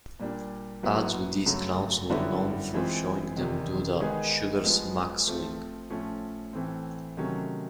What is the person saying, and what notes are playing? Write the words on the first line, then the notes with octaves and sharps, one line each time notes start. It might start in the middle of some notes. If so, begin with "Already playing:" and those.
Ads with these clowns were known for showing them do the "Sugar Smack Swing".
A#2 G3 A#3 D4
A#2 F#3 B3 E4
F#2 C#3 F#3 A3
F#2 D3 G3 B3 E4
E3 G#3 C4 F4
E2 C3 D#3
D#3 G#3 B3 D#4 G#4
F3 G#3 B3
F3 A3 C4 F4
A2 F3 A3 C#4 F4
A2 E3 A3 C4
C3 D#3 F#3 A3 C#4